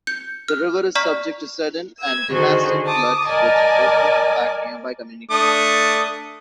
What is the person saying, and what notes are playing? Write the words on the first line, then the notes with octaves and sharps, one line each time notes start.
The river is subject to sudden and devastating floods which often impact nearby communities.
G6 C#7
F6
D5 A#5 C#6 F6 B6
E6 G#6
D3 D#3 F#4 G#4 C5
A5 D6 D#6
A#4 D5 D#5 G#5 A5
A3 D4 D#6